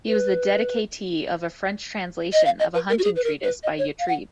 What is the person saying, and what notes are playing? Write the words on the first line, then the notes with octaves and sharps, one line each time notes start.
He was the dedicatee of a French translation of a hunting treatise by Yatrib.
B4
D#5
F5
D#5
B4
A#4
F#4
G#4
B4
A#4
B4
D#5
C#5
F5
F#5